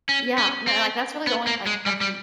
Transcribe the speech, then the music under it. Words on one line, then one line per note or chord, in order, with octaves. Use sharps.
Yeah, and then, like, that's really the only, like that's
C#4
C#4
C4
B3
A#3
G#3
G3
G3